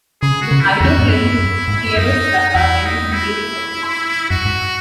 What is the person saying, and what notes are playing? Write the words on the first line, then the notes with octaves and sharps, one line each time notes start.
The idea came to Piero Sraffa when he was reading a book.
C#3 G#4
F#4
C#3
E4
E2 F#4
G#2
F#2 E4
F#2
G#2
F#2 D#4
D#4
E2 E4
D#4
E4
F#2 F#4
G#2